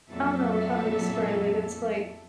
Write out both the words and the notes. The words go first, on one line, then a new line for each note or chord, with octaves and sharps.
I don't know how to describe it, it's like
F2 A#2 F#3 A#3 A4 E5